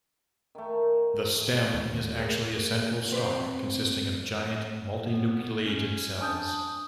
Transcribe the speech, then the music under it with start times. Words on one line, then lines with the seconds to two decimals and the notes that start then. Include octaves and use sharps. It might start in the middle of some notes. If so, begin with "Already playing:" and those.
The "stem" is actually a central stalk consisting of giant, multinucleated cells.
0.55 D#3 A3
1.74 D#2
2.18 A3 G#4 A#4
3.12 C4 B4 D5
5.04 B3
5.65 C#4
6.20 D4 G#5 D#6 G6